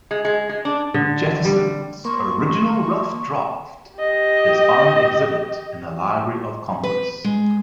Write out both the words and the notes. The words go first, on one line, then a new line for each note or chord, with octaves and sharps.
Jefferson's "original Rough draught" is on exhibit in the Library of Congress.
G#3
G#3
G#3
D4
D3
G3
A#3 C6 C#6
G4 D#5
B4
G#3